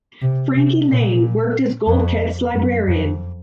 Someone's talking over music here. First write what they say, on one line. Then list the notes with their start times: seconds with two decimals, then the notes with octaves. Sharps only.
Frankie Laine worked as Goldkette's librarian.
0.22 C3
0.55 C3
0.88 A#2
1.87 F2
2.54 F#2
2.88 F2